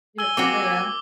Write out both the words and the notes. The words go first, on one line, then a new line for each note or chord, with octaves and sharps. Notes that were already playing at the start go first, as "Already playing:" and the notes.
You don't remember, yeah?
G#5 E6 G7
A#3 C4 F#4 D6